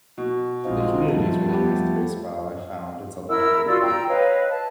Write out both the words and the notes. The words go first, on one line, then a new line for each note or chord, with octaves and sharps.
the community is really nice there as well. I've found it's a lot of really, like,
B2
A#1 G#3 C4 D#4 F4
E2 F3 G3 A3 A4
B3 G4
E4 A#4 E6
F4 F#4 D5 E6
G5 A#5 E6
B4 C#5 D#5 F5
A5